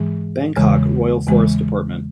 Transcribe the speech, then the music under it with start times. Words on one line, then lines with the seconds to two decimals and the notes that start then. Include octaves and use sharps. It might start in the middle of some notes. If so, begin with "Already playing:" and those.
Bangkok: Royal Forest Department.
Already playing: G#2 E3 G#3
0.56 E2 C#3 E3 G#3
1.27 E2 C#3 E3 G#3